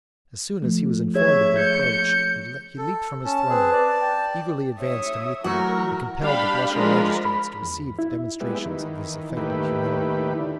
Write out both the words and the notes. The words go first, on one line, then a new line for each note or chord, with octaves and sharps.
As soon as he was informed of their approach, he leaped from his throne, eagerly advanced to meet them, and compelled the blushing magistrates to receive the demonstrations of his affected humility.
F3 A3
G#4 C#5 E5 G#6
G6 C#7
A4
C#4 A5
C4 G#4 B4
D5
G5
C#5 E5 D#6
E3 F#3 A3 E4 F#4 A#4
G3 D4 F5 G5 B5
F3 G#3 D4 F4 A#4 B5
B5
E2
E4
G3 G#3 B3 E4
D#3 E3
D#2 A2 D#3 E4 G4 B4
D3